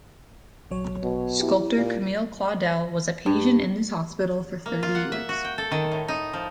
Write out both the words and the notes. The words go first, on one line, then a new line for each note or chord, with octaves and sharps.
Sculptor Camille Claudel was a patient in this hospital for thirty years.
A#1 F#3 C#5
B2
E4 G4
A#2
G2
A#3
F4
F#5
E5
F#4
G5
A4
D#3
A2
D#4
F3